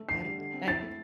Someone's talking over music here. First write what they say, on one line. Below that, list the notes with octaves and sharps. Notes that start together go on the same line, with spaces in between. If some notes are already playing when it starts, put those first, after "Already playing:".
I l I I
Already playing: A3
D3 C7
G3
D3
C4
E4 A6
A3